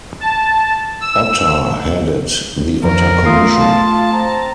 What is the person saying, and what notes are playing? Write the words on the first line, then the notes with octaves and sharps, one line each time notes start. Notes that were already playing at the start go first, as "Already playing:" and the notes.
Otter headed the Otter Commission.
A5
E6
F2 F3 A#4
A3 F4 D#6 C7
A5
C4 A#5